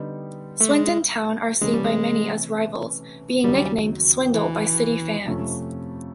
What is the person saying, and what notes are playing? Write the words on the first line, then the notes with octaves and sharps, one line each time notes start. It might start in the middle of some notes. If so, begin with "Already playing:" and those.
Swindon Town are seen by many as rivals, being nicknamed 'Swindle' by City fans.
Already playing: D3 G3 B3 D#4 G4
A3
G#3
C3 E3 G#3 A3 C#4
G3
G#3
D#2 C#3 F#3 G3
E3
F2 C3 F3 A3 C#4